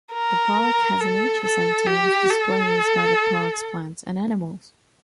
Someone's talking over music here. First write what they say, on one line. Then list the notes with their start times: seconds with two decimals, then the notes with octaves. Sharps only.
The park has a nature center with displays about the park's plants and animals.
0.13 A#4
1.00 A4
1.44 A4
1.87 G4
2.31 A4